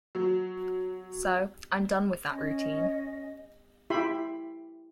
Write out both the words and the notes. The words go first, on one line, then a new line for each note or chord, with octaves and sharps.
So, I'm done with that routine.
F#3
C#4 D#5
E4 G4 E5 B5 C6